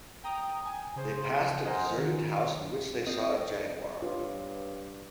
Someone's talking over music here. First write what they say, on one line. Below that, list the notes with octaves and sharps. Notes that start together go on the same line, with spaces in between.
They passed a deserted house in which they saw a jaguar.
G5 A#5 D#6
G#5
C#3 G#4 C5
A#4 C5 D#5 F#5 G#5
D#3
C4 D#5
G2 F4 B4 C#5 F5